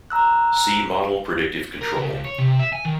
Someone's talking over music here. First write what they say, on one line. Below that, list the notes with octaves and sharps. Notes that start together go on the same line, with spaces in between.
See Model predictive control.
A#5 E6 F#6
A#4
C#3
C#2
C#5
C3
E5
G#5
D#3